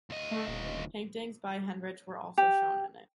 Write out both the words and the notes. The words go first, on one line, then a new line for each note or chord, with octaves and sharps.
Paintings by Hendrich were also shown in it.
D2 D#5
A3
D#1
G4